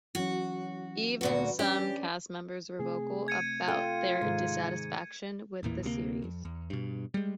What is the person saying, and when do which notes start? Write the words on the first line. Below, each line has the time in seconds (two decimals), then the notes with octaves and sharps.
Even some castmembers were vocal about their dissatisfaction with the series.
0.15 E3 F#3 C#4 F#4
1.21 D2 A#2 F#4 B4
1.59 C#4 D4 G4 D5
2.79 C3 A3 C4 G#4
3.28 G#6 C#7 D#7
3.68 F4 A4 G5
4.22 G#2 C3 D#3
5.63 A1 E2 A#2 E3
5.83 D2 C3 F#3 A#3
6.24 F2
6.45 E2
6.70 G2 B2
7.14 G3 G#3